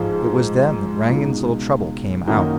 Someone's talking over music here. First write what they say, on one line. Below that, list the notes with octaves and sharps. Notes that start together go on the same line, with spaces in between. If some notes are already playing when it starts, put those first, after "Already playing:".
It was then that Rangon's little trouble came out....
Already playing: G#2 F3 G#3
C#2 B2 G#3 D#4
F#2 D#3 A#3 D#4 F#4